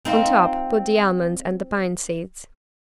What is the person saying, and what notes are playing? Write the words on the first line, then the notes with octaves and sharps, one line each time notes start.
On top put the almonds and the pine-seeds.
C4 D#4 F4